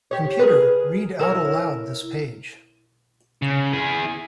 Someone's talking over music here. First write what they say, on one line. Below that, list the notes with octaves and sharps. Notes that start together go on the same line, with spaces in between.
Computer, read out aloud this page.
G4 C#5
G#4 A#4 B4
E4 A#4 C#5
C#3
E4 G#4